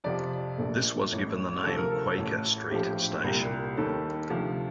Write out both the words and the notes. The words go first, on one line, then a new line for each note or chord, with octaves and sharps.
This was given the name Quaker Street Station.
F2 C3 F3 D5
A#1 A#2 A3
A1 A2 A3
D2 C3 F3 A4
A#4
A4
A1 A2 A3
A#1 A2 F3 A3 G4
C2 A#2 G3
D#2 D#3 G3 A4
D2 C3 F3